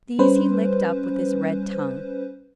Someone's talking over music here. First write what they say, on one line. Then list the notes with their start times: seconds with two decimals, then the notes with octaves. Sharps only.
These he licked up with his red tongue.
0.19 G3 C#4 B4 C5